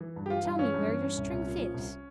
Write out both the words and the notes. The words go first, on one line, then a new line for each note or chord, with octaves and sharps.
Tell me where your strength is.
E3
G2
G4
E3 F4
G2
E3 C#4
G2
E3
G2
C2
C2
A#2
F3
C2